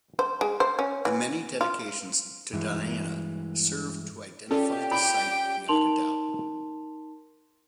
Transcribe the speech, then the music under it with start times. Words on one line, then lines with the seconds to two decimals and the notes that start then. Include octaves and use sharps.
The many dedications to Diana serve to identify the site beyond a doubt.
0.19 C5
0.41 G#3
0.60 C5
0.79 C#4
1.05 E3
1.61 F4
2.52 G2 E3 G#3
4.51 C#4 F4 G4 A4 D5
4.91 G5 B5
5.68 D#4 A#4 A5 C6 F7 F#7